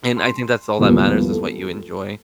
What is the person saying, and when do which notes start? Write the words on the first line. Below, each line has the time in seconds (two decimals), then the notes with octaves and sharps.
And I think that's all that matters is what you enjoy.
0.17 C6
0.79 D#2 A2 F3 G3 B3
1.30 A4